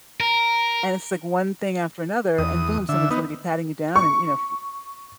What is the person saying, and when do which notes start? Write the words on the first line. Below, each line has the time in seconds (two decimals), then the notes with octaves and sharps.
and it's, like, one thing after another, and boom, someone's gonna be patting you down and, you know, f
0.21 A#4
2.38 E2 D#6
2.89 D3 E5
3.11 B3 D#4
3.96 C#6